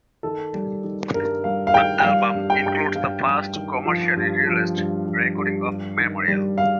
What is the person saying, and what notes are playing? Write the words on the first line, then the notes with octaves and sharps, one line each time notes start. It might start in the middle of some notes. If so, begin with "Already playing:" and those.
The album includes the first commercially released recording of "Memorial".
D#3 A4
G3
D#3
G2 A#4
G3 F5
F5
D#3 G5
G5
G3 F5
G2
G5
G2 G5
G2 F5
G2
D#3
F3
G2
F3
G2
F3
G2
G2
D#3
G3
F5